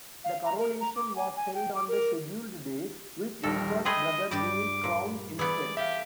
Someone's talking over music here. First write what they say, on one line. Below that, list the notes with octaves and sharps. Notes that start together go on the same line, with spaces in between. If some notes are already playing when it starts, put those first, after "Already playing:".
The coronation was held on the scheduled day, with Edward's brother being crowned instead.
F5
A#5
A#4
A#5
D6
G#5
G#5
G5
D6
A#4
A#1 D#2 G3 A4 A#4
G#3 A3 G#4 D#5 G5 B5 D#6
G2 G4 D5 B5 D6
A#2
E3 B3 G#4 D5
G4 A4 E5 F5